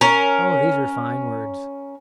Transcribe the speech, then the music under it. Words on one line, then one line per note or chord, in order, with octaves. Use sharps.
"Oh, these are fine words."
C#4 A#4